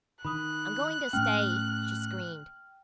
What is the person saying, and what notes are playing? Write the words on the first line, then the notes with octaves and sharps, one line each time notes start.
"I'm going to stay!" she screamed.
D#3 B5 D#6 F#6
A2 A3 C#4 G5 F6